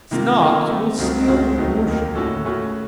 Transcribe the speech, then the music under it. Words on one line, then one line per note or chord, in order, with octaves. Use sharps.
Snobs will still worship him.
C3 D#3 A#3 F4
D#3 A#3 F4 A4
D#3 A3 C4
C#2 C#3 F#3 C4 D#4
C#2 C#3 A3 C4 F#4
D#2 D#3 F#3 A3 D#4
D#2 D#3 A#3
A2 A3 C#4 F#4 A4
C#3 A3 C#4 F#4